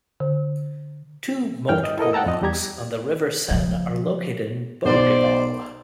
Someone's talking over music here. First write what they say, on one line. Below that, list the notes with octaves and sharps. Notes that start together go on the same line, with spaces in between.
Two multiple locks on the River Seine are located in Bougival.
D3
G2 E3 G5 F6 G6
D#5
E4 A4 A#4 D#5
F#5 G5 A5 A#5 E6
F2 D#5
E2 G3 G4 A#5 G#6
C#3 F3
B1 C5 D5 C6